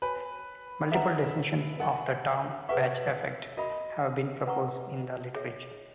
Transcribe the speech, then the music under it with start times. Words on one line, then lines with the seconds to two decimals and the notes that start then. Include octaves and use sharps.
Multiple definitions of the term "batch effect" have been proposed in the literature.
0.02 F#4 B4 C#5 G#5
0.91 G#4 B4 D#5 E5 F#5 A#5
1.80 A#4 D#5 F#5 G#5 C#6
2.69 G#4 B4 E5 F#5 C#6
3.57 F#4 A#4 D#5 E5 B5
4.46 B4 F#5 A#5 C#6
5.35 G#4 C#5 E5